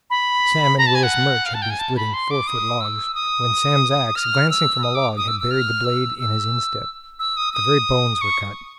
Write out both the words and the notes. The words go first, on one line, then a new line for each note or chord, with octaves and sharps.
Sam and Willis Murch had been splitting four-foot logs, when Sam's axe, glancing from a log, had buried the blade in his instep; the very bones were cut.
B5
A#5
A5
G#5
F#5
F5
A5
G5
G#5
A5
B5
C6
D6
D#6
E6
D#6
F6
E6
D#6
D6
D#6
E6
E6
F6
E6
E6
E6
D#6
D#6
C#6